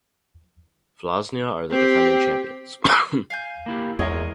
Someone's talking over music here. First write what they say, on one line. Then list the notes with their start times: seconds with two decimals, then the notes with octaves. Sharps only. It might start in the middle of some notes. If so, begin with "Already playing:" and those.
Vllaznia are the defending champions.
1.70 C4 G4
3.30 F5 G#5 G6
3.66 A#3 E4 G4
3.99 E2 G#3 A#4 C#5 D#5 F5